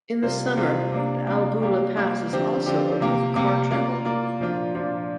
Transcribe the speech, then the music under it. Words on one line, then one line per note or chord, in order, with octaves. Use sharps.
In the summer, the Albula Pass is also open for car travel.
C3 G3 C4 F4 C5
C3 G3 C4 F4 C5
C3 A#3 D4
C3 A#3 D4
G3 A#3 G4
G3 A#3 G4
D3 F3 C4 G4
D3 F3 C4 G4
C3 A#3 G4
C3 A#3 G4
A#3 F4 A#4 D5
A#3 F4 A#4 D5
A#2 F3 D4 F4
A#2 F3 D4 F4